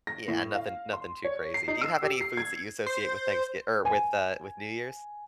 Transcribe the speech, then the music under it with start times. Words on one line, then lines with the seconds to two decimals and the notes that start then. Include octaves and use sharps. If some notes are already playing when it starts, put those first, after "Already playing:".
Yeah, nothing nothing too crazy. Do you have any foods that you associate with Thanksgi or with, uh, with New Year's?
0.07 A#6
0.28 A2
0.55 F5
0.93 C6
1.25 C#5
1.54 C7
1.68 D#4
1.81 E6
2.03 G4
2.21 C7
2.37 G#6
2.86 C5
3.85 G#5